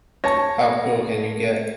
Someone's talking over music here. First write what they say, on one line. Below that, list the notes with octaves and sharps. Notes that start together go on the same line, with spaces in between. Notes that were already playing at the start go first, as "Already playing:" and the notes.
How cruel can you get?
C#5 A5 A#6